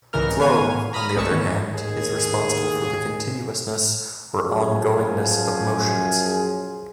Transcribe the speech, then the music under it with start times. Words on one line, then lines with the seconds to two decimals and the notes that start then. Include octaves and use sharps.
Flow, on the other hand, is responsible for the continuousness or ongoingness of motions.
0.13 C2 G#2 C#3 E3 A#4 F6
0.39 D#3 B3 F5 G#5 D#7
0.93 A#5 B5 D#6 F6
1.15 C2 G#3 A3 A5 C#6 E7
1.31 D#3 E3 B3 C#4
1.75 D#2 G#4
4.41 F#2 F3 G#4